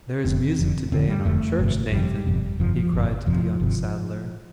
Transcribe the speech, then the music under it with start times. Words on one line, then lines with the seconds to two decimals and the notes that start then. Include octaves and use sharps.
"There is music to-day in our church, Nathan!" he cried to the young saddler.
0.25 F1 F2 D3 C4
0.59 F1 F2 D3
0.92 F1 F2 D3 C4
1.08 G3
1.25 F1 F2 D3 A3
1.59 G1 F2 C3
1.92 G1 F2 C3 G3
2.26 G1 F2 C3
2.60 G1 F2 C3 F3
2.76 F3
2.93 G1 F2 C3
3.26 G1 F2 C3 F3
3.60 G1 C3